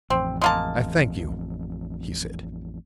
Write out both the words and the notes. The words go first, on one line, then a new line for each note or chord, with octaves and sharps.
"I thank you," he said.
A1 F2 C4
G#3 A#3 A5